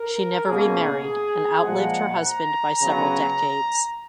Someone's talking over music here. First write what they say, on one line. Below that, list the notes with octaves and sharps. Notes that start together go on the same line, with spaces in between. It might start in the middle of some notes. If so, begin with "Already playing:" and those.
She never remarried and outlived her husband by several decades.
Already playing: A#4
B2 A#3 C#4 G#4
A#2 F3 G#3 F#5
A#5
C#3 F#3 B3